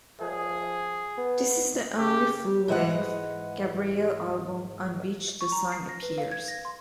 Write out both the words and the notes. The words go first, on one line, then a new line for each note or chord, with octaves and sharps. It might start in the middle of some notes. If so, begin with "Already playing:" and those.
This is the only full-length Gabriel album on which the song appears.
F3 G#4
B3
C#3 G4
G#2 E3 G#3 D#5 F#5
C#6
A#5
C7
A#6
B4
F5
G#6
A#6
C6